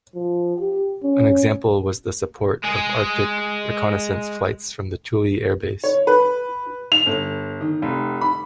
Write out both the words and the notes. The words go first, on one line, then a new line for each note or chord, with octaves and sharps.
An example was the support of Arctic reconnaissance flights from Thule Air Base.
F3
G4
C#4
G#3 G#4
C#5
B4
F7
G1
D#3
F1
B5